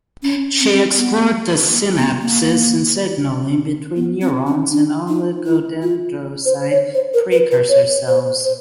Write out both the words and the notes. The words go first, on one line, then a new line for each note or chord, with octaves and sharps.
She explored the synapses and signaling between neurons and oligodendrocyte precursor cells.
C#4
C4
B3
A#3
B3
A#3
B3
C4
C#4
D4
D#4
E4
F4
C5
C#5
C5
A#4
B4
B4
C#5
C5
C5